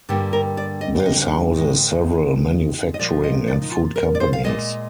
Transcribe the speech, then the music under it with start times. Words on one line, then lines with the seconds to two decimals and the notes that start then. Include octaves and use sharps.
This houses several manufacturing and food companies.
0.09 G2 D3 G3 A#3
0.33 A#4
0.57 D5
0.81 D#5
1.00 F5
1.06 D#5
1.54 G#2 D#3 G#3
2.94 D#5
2.99 A#2 F3 A#3 D5
3.24 D#5
3.48 D5
3.62 D#4
3.71 F4
3.96 A#4
4.15 D5
4.20 C5
4.33 F5
4.44 A#2 F3 G#3 D#5